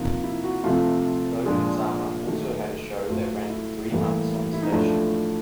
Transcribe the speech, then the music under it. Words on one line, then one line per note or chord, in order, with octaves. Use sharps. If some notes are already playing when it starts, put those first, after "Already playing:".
Logan Sama also had a show that ran for three months on the station.
Already playing: C3 F3 A#3 D#4
E4
F#4
C3 F3 A3 F4
A#2 F3 G#3 D4
D#3 F#3 A3
A2 F#3 A3 F4
E4
A2 E3 G3 A#3
E4
D#4
A2 F3 A3 D4